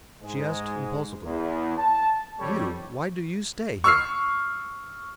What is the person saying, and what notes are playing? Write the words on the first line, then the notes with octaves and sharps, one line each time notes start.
She asked impulsively, "You, why do you stay here?"
G#2 G#3
E2
A5
F2 G3 A4 C#5
C#6 E6 F6 C7